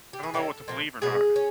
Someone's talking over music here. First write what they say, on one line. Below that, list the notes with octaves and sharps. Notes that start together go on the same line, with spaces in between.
I don't know what to believe or not.
G4
G#4
D#3 G3 A#3 C#4 A4
A#2 F3 A#3
B2 F#3 B3 G#4
C#4